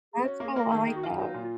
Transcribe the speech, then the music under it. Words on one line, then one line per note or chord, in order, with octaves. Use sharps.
That's cool, I like that.
G#4
C#4 F#4
A#3 G#4
A#4
A#3
D#3 G#4
G#4
D#3
F#4
F4
F#3 D#4
A#2
F4